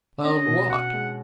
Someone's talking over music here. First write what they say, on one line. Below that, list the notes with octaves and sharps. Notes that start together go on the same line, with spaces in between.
"Found what?"
C#4 D#5
B2
F#4 F#5
G#3